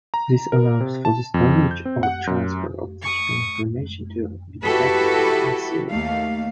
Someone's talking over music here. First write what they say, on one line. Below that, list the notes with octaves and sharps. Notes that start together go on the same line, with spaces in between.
This allows for the storage or transfer of digital information to be kept concealed.
A#5
A#4
C3
A5
F2
G6
C4
F#5
F#2
C#6 D#6
E4 F#4 G4 A4 B4
D#2 A3 F5